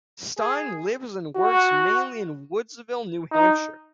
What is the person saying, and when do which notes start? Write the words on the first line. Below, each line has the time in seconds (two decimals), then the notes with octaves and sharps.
Steyn lives and works mainly in Woodsville, New Hampshire.
0.37 G#4
1.35 F#4
3.31 D#4